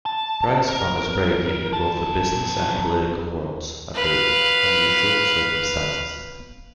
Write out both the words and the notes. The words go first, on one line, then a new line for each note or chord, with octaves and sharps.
Brice found his break into both the business and political worlds under unusual circumstances.
A5
A#4
F#2 A5
B4 F5